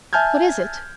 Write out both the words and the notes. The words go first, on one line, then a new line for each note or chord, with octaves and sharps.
What is it?
E5 G#5 A5 F6 G6 G#6